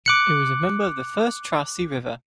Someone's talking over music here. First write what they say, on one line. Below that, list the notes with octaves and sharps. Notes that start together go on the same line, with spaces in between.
It was a member of the first Traci River.
D6 F#6 C#7